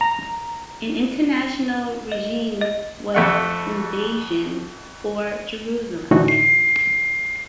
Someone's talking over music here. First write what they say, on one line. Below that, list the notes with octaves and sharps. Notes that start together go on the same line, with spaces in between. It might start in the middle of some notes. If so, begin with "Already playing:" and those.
An international regime was envisioned for Jerusalem.
A#5
D#5
D#5
F2 A3 F#5
A2 D3 E3 A3 D#4 F#4